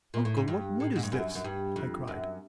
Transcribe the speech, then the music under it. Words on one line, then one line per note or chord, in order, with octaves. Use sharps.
"Uncle, what wood is this?" I cried.
A#2
A2
G#2
G2
A2
G#2
G2
F#2
F#2
G2
F2
F#2